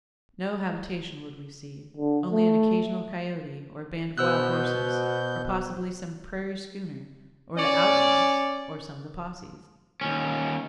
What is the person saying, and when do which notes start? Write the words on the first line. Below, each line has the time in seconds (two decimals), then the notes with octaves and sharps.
No habitation would we see; only an occasional coyote, or a band of wild horses, or possibly some prairie schooner, or the outlaws, or some of the posses.
1.97 D3
2.32 A3
4.18 B2 B3 C5 E6 F#6 G6
7.57 C#4 D5
10.01 D#2 C#4